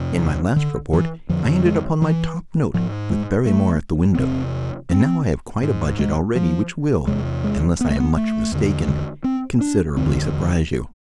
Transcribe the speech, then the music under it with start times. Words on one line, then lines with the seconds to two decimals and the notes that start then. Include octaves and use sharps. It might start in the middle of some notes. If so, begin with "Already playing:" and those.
In my last report I ended upon my top note with Barrymore at the window, and now I have quite a budget already which will, unless I am much mistaken, considerably surprise you.
Already playing: F2 C3
0.56 D3
0.93 E3
1.29 F2 D3 F3
1.65 G#3
2.02 E3
2.74 G#2 F3
3.10 G#3
3.46 A3
4.15 B3
4.18 E2 C3 C4
4.91 C4
5.63 G#2
5.99 G#3
6.35 F3
7.07 E2 C3 G#3
7.44 G#3
7.81 B3
7.90 A3
8.00 B3
8.17 A3
8.52 E2 D3
9.24 C4
9.61 D4
9.97 E2 D3 C4